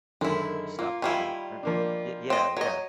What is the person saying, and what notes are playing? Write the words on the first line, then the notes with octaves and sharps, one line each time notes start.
stop polluting the planet it Yeah, yeah.
F#2 D3 D#3 G#3 E4
A#3 F4
D#3 G3 E4 F4 F5 G#5
F3 A#3 D4
C4 D#5
F#3 C#5 D#5